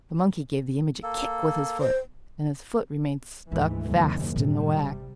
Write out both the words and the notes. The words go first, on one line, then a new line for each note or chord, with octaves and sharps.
The monkey gave the image a kick with his foot and his foot remained stuck fast in the wax.
A#3 A4
C5
D2 G#2 E3 G#3
F#1 D#2 C3
A2 C3 D#3 G3
G1